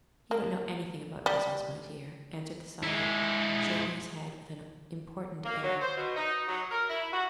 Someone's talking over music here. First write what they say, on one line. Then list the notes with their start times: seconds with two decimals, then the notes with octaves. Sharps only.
"You don't know anything about business, my dear," answered the sire, shaking his head with an important air.
0.31 A#3
1.26 G3
2.83 G#3 E4
5.45 A#3
5.63 F#3
5.82 C5
5.96 B2
6.16 D#4
6.48 F#3
6.71 A#4
6.89 E4
7.13 F#4